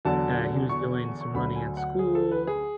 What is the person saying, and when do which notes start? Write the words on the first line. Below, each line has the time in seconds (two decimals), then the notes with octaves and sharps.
Uh, he was doing some running at school,
0.05 E2 D3 F#3 A5
0.69 C#6
1.21 C#6
1.34 D2 D3 F#3 B5
1.56 G#5
1.77 F#5
1.99 G#4
2.15 A4
2.31 B4
2.47 G#4